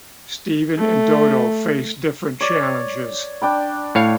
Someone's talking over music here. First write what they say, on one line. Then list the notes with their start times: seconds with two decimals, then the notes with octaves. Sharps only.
Steven and Dodo face different challenges.
0.78 A3
2.41 C#5 D5
3.42 D4 G5 B5
3.95 A2 C#5 F5